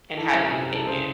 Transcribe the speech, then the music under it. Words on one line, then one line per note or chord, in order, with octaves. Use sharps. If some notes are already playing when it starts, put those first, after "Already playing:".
And how did he take it?
E3 A4
F#2
C3
C2
A4
C#3 C5